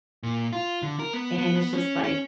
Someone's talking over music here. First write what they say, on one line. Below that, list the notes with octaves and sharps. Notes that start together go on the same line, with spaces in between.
and it's just like,
A#2
F4
D3
A#4
B3
B3
B3
C#4
C#4